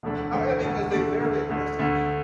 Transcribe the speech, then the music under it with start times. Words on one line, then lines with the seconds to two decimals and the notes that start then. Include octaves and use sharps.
however because they're very aggressive people.
0.03 E1 D2 D3 A3 D4
0.32 E1 D2 D3 A3 D4
0.62 E1 D2 D3 A3 D4
0.91 E1 D2 D3 A3 D4
1.20 D2 D3 A3
1.49 D2 D3 A3
1.79 D2 D3 A3